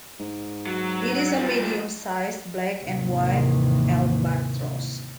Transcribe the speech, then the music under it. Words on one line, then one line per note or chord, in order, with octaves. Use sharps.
It is a medium-sized black and white albatross.
G#2
F#3
F3 G3
D#2 G#2 C3 D#3 E3